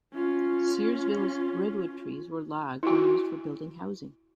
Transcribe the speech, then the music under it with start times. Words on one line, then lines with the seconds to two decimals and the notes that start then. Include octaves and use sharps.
Searsville's redwood trees were logged and used for building housing.
0.14 C#4 F4
2.83 E4 F#4